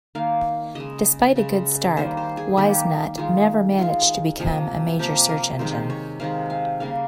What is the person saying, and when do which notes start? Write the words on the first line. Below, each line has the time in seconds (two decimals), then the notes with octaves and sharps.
Despite a good start, WiseNut never managed to become a major search engine.
0.15 D#3 A#3 F5
0.75 C#3 G#3 D#5
1.36 C#3 G#3
1.97 D#3 G3 A#3 C5
2.17 C5
2.37 G#4
2.57 D#3 G3 A#3 G4
3.17 D#3 G#3 F4
3.79 D#3 G#3 F4
4.39 C3 F3 A#3
4.99 C3 F3 A#3 G4
5.29 A#4
5.59 C3 D#3 G#3 C5
5.90 C#5
6.20 C3 D#3 G#3 F5
6.50 F5
6.80 C#3 G3 A#3 F5